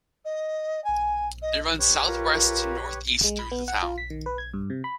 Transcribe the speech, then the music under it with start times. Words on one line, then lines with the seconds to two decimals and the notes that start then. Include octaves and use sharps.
It runs southwest to northeast through the town.
0.25 D#5
0.84 G#5
1.42 D#5
1.79 G4 B4 C#5
2.08 F4 A#4
3.24 G#3
3.39 B5
3.51 B3
3.68 F#5
3.83 F4
3.98 B6
4.10 D#3
4.26 B4
4.38 G#6
4.54 G2
4.70 C3
4.84 B5